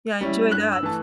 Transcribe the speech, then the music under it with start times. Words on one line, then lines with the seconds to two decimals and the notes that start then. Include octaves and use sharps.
Yeah, I enjoy that.
0.21 G3 C#4 E4
0.51 G2 F#6
0.72 E6
0.83 E3 A3 A5